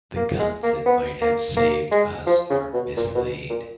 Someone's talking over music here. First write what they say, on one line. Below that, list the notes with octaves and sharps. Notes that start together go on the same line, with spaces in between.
The guns that might have saved us are mislaid.
A#3
G#3
A#3
B3
A#3
A#3
G#3
F3
C#3
B2
A#2
B2
A#2